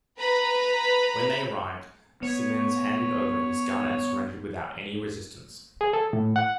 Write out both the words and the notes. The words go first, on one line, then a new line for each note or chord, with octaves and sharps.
When they arrived, Simmons handed over his gun and surrendered without any resistance.
B4 A#5 B5
B3 C#5
G#4
A4
A2
F#5